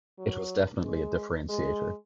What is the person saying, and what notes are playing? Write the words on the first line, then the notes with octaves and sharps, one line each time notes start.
It was definitely a differentiator.
F#3
G#3
G#3